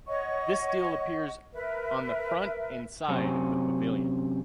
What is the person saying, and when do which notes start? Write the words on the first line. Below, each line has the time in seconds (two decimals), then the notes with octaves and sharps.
This still appears on the front and side of the pavilion.
0.07 C#5 D#5 F#5 C#6
1.53 A#4 B4 E5
3.08 F#2 C3 C4 C#4